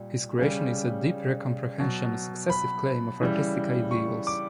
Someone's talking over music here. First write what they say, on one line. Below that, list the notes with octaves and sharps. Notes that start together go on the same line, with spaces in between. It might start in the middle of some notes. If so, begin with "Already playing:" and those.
His creation is a deep re-comprehension, successive claim of artistic ideals.
Already playing: A#2 G3
C#3 G3
B2 F#3
B5
C#3 E3 G3
C#6
D6